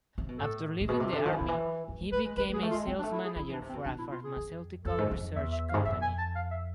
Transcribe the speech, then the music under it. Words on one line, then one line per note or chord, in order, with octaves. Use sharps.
After leaving the army, he became a sales manager for a pharmaceutical research company.
C3
B2
A2 A4
A2
B2 G#4
C3 F4
D3
D4
F3
E3
D3 E4
E3
F3
A3
A3 B4
G#3
G#3 B4
A3
G#4
G#3
A3
F4
G#3
G#3 C4
D4
A3
E4
G#4
F3 E4
E3 D4
C3
C4
B2
B2 D4
E4
F4
G#4
F2
F2 A4
G#2
F2
E2 E5
E5
F5
G#2
F2 E5
G#5
A5
F5
E5